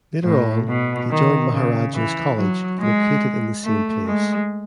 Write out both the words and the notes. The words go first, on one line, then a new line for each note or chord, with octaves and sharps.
Later on, he joined Maharajah's College, located in the same place.
A2
B2
D#3
C#3
E3
F#3
G#3
A3
G#3